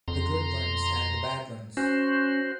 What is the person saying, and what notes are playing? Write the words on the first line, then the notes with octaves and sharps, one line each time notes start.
The good ones and the bad ones.
F2 A#5 C6
C#4 F#4 C5